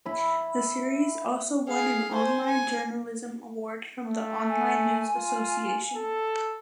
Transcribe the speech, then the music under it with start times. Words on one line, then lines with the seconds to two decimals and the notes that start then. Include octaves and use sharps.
The series also won an Online Journalism Award from the Online News Association.
0.06 E4 B5
1.68 G#4 F5
2.13 C5 G#5
2.46 G#5
4.05 A3
4.50 G#5
5.16 F4
5.96 A4